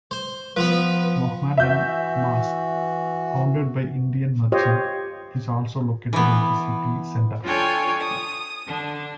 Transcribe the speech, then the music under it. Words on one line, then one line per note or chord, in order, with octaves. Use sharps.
Muhammadan Mosque, founded by Indian merchant, is also located in the city centre.
C5
F3 B3 B4
E3 F#4 E5 G6
F4 G4 C5 C#5 D#5
E3 B3
D4 F4 A4 C#5 G5 G#5
D#6
D3 D4